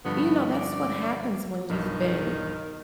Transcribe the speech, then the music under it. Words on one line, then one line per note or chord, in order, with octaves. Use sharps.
you know, that's what happens when you've been
G2 D3 F3 B3
D5
B1 G2 D#3